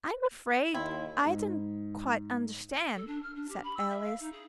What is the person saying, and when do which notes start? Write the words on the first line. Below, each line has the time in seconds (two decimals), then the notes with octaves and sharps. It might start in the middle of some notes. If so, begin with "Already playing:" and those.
'I'm afraid I don't quite understand,' said Alice.
0.74 D#2 E4 G5 C6
1.25 G#2
2.95 A4
3.07 D4
3.22 F6
3.35 D4
3.48 G4
3.63 B5
3.76 E6
3.90 E5
4.04 F5
4.19 D#4
4.32 G#4